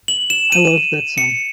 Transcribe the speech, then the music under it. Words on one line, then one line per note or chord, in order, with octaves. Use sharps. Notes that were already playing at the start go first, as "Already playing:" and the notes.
I loved that song.
F#7
E7
D#7
C#7